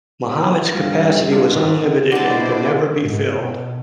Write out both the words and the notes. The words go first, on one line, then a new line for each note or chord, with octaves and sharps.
Muhammad's capacity was unlimited and could never be filled.
G2 F3 G3
G#3 D4 F4
G#2
B2 C4 D4 E4 C5 D5 F#5 A5
G#2
B2